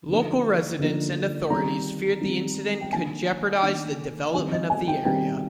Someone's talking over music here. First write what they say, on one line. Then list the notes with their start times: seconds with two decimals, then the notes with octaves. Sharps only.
Local residents and authorities feared the incident could jeopardise the development of the area.
0.08 D3 F3 A#3 D#4
0.79 D3 F3 A#3 D#4
1.50 D#3 G3 C4 A#5
2.22 D#3 G3 C4
2.81 G5
2.92 D#3 A#3 D4 G#5
3.63 D#3 A#3 D4
4.34 D#3 G3 C4 D#4 G#5
4.52 D#5
4.70 G#5
4.88 G5
5.05 D#3 G3 C4 D#4 G5